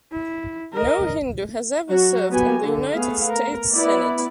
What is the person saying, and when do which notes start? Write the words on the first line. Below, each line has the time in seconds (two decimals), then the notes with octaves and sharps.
No Hindu has ever served in the United States Senate.
0.12 E4
0.73 A#4 D#5
1.89 F#3 F#4
2.30 B3 F#4 G4 G#5
2.61 D3
2.94 A3 B3 G#4 F5
3.32 A#4
3.74 B3 E4 B4 D5